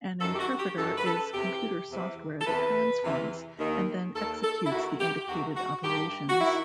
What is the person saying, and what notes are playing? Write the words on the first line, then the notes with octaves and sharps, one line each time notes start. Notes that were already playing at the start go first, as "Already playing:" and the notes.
An interpreter is computer software that transforms and then executes the indicated operations.
F#2 D#3 A4
G4
F#4
G4
F#2 D#3 A4
B4
A4
E2 C3 E3 G4
E2 C3 E3
A4
E2 C3 E3 B4
E2 C3 E3
D#2 D#3
D#2 D#3 A4
A4
E4
E2 D#3 F#4
G4
E2 D#3 F#4
F#4
G2 D#3 G4
F#4
D#3 E4